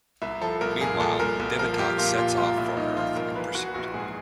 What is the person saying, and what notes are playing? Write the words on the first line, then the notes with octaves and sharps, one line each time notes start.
Meanwhile, Divatox sets off for Earth in pursuit.
C2 E4
F3 A4
C2 A#4
A#2 G#4
C2 A4
C2 A#4
C2
F3 A#4
C2 G4
A#2 F4
A#2 F4
C2 F4
C2 E4
C2 D#4
F3 F4
C2 A#4
E3 B4
E3 F#4
A#1 F#4
G#2 G#4